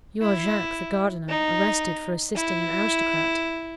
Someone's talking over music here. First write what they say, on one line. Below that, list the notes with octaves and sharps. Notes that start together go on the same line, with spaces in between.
'You are Jacques, the gardener, arrested for assisting an aristocrat.
E4
D#4
E4